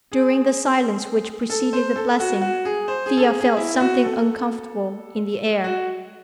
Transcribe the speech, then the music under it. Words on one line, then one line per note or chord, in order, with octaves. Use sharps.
During the silence which preceded the blessing, Thea felt something uncomfortable in the air.
G#4
A4
C5
A4
F#4
F#4
G#4
C5
G#4
A4
G#4
G#4
E4
F#4
A4
F#4